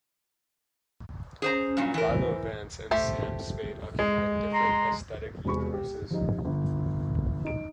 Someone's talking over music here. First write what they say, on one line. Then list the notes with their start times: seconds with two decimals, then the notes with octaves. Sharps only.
Philo Vance and Sam Spade occupy different aesthetic universes.
1.42 C#4 G#4 C5 A#5
1.77 G2 A#2 F#3
1.94 E3 A#4
2.09 C5
2.91 A3 G4 C5
3.99 G#3
4.54 A#5 C6
5.45 E1 C3 G#4 B5 C#6
5.74 G4
6.10 F3 G3 D#4
6.45 G1
7.45 D#4 D7